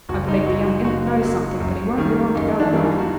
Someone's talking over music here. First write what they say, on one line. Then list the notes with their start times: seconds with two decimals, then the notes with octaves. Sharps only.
I believe the young imp knows something, but he won't let on to Bell and I.'
0.09 F#1 F#4
0.28 D#4
0.46 F#2 F#3 F#4
0.66 F#4
0.85 F#1 F#4
1.22 F#2 F#3
1.60 F#2
1.98 D#3 G3 A#3
2.35 F#2 D#4
2.60 D4
2.73 D#3 G3 A#3
2.99 F#4